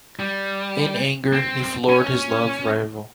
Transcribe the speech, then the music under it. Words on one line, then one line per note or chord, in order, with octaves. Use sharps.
In anger, he floored his love rival.
G3
C4
C#4